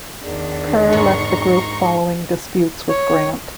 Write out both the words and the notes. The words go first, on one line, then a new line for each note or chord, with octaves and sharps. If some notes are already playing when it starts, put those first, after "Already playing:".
Kerr left the group following disputes with Grant.
E2 D#3 D4
G#2 A#5 C6 C#6
C#5